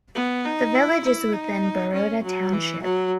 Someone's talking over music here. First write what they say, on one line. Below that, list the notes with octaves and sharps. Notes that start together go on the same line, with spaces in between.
The village is within Baroda Township.
B3
D#4
E4
E4
D#4
C#4
F#3
E3
F#3